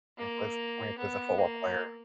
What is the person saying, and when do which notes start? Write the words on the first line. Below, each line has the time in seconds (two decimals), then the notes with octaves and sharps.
When he plays when he plays a football player.
0.18 A#3
0.98 B3
1.39 A#3